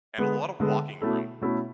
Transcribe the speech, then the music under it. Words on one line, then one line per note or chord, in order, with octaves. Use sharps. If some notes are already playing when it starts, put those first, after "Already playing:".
and a lot of walking room.
D3 G#3 B3
D3 G#3 B3
B2 A3 C#4 E4 A4
B2 A3 C#4 E4 A4